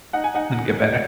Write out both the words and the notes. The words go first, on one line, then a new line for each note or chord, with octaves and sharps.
and get better.
D#4 F#5
G#5
D#4 F#5